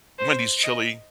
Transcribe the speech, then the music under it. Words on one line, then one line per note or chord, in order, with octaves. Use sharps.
Wendy's chili,
C5
D#5